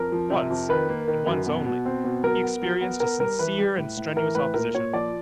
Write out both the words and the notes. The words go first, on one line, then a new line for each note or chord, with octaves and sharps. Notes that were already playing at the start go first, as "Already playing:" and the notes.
Once, and once only, he experienced a sincere and strenuous opposition.
Already playing: F2 A#4
F3
C3
F2
D#3 B4
A#3
D#3
F#2
B2
B2
C4
B2
F#3 A#4
B3
F#3
B3
B3 A#4
G3 A#4
E3 B4
G3
A2
A2
E3 A#4
A2 B4
A#2 A#4
A#2 C#5
F3 D5